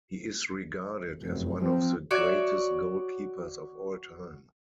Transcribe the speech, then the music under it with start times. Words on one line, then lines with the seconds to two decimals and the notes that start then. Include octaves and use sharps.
He is regarded as one of the greatest goalkeepers of all time.
1.22 F1 F#2
1.63 F3 C4
2.11 F#4 C#5 D5 E5